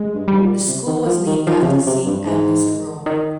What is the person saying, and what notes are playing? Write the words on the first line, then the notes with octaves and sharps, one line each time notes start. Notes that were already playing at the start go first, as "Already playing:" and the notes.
The school was named after Saint Agnes of Rome.
Already playing: G#3
G2
G#2 G3
A#2
C3
D#3
F3
D#3
D#3 F3
C3
C#3
C3
G2
G#2
D#3